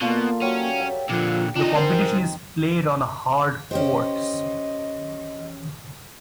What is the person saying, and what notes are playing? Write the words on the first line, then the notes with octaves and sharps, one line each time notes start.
The competition is played on hard courts.
B2 A#3 F4 A4 D5
F#3 C#4 G4 A#4
C#5 E5 G5
A#2 D3 F3
C4 D4 D#4 F4 D#5
G#3 A#4 C5
C#4 G4 C5 D#5